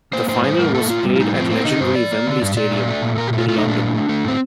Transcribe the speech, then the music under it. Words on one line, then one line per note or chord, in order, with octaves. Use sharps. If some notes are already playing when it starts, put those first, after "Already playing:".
The final was played at legendary Wembley Stadium in London.
A#3 C5
A2 C5
G3 C5
A2 A#4
A#3 A4
A2 F4
G3
F4
A2 D#4
F3 C4
A#3 C4
D3 D#4
G2 C5
F3 D5
A#3
D3
G2
A#2 D5
A3
A3
A#2
A#2 A#4
G4
A3
F4
A3 F4
D#4
A#2 D4
A2
A3
A3
A2 C4